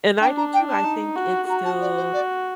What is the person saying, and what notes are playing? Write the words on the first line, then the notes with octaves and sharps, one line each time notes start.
and I do too, I think it's still
D4 G5
A#5
G5
A5
D#4
F#4
F#4 A#5
A5
D5
C5
D5